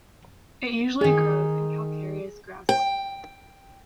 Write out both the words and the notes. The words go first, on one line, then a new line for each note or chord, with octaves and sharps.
It usually grows in calcareous grassland.
D#3 D#4 G#4
G5